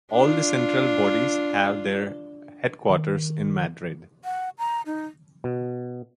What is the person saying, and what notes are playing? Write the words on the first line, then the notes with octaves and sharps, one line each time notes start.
All the central bodies have their headquarters in Madrid.
D4 F4
D#3
F#5
A#5
D#4
B2